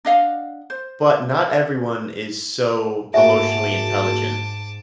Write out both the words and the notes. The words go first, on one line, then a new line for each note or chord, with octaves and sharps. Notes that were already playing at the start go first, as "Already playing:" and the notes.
But not everyone is so emotionally intelligent.
D4 D#5 F5 F#5
C5
G#2 A#3 F#4 G#4 E5 A5 D6